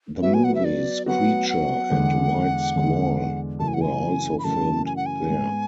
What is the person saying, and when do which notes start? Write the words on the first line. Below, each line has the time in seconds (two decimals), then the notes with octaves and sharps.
The movies "Creature" and "White Squall" were also filmed there.
0.22 F#3 B3 F#4 E5
0.34 G#5
0.44 F#5
0.55 E5
0.64 D5
1.06 F#3 B3 F#4 F#5
1.50 F#5
1.91 E2 D3 G#3
2.75 E2 D3 G#3
3.59 F#2 C#3 E3 A3 A5
3.68 G#5
3.74 F#5
3.81 G#5
4.39 B5
4.44 F#2 C#3 E3 A3 A5
4.86 G#5
4.96 F#5
5.06 G#5
5.29 G#2 G#3 B3